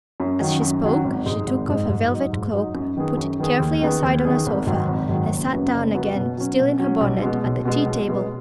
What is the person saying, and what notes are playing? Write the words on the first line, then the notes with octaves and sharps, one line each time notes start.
As she spoke she took off her velvet cloak, put it carefully aside on a sofa, and sat down again, still in her bonnet, at the tea-table.
F#2
D#3 F#3 C#4
F#2
D#3 F#3 C#4
G#1
G#2 G#3 D#4
G#1
G#2 G#3 D#4
G#2
F#3 D#4
G#2
F#3 D#4
F#2
D#3 B3 G#4
F#2
D#3 B3 G#4
D#2
D#3 B3 G#4
D#2
D#3 B3 G#4
G#1
G#2 D#3 F#3 D#4
G#1
G#2 D#3 F#3 D#4
F#1
F#2 C#3 F#3 B3
F#1
F#2 C#3 F#3 B3
B2
F#3 C#4
B2
F#3 C#4
B1
B2 G#3
B1
B2 G#3
B1
B2 G#3 B3